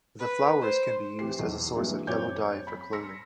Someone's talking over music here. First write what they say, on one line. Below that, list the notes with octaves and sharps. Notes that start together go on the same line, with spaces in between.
The flowers can be used as a source of yellow dye for clothing.
B4
C5
E3 C4 G4 C7
B1 E2
G2 E3 F#3 G#3 A#3
F#2 C4 C#5 D6 G6
B5 B6
C6 E6 A#6 B6 C#7